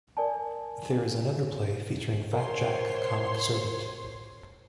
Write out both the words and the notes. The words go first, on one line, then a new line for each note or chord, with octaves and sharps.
There is another play featuring Fat Jack, a comic servant.
A#4 D5 G#5 A5
A#4 C5 C#5 C6